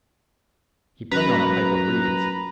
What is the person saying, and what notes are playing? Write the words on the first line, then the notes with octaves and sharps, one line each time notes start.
He played on a pipe of reeds.
F#2 B4 A#5